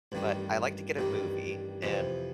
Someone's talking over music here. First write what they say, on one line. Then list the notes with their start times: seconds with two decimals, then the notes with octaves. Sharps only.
but I like to get a movie and,
0.12 A1 G2 D#3 G3
0.97 A1 G2 D#3 G3
1.83 F2 C3 E3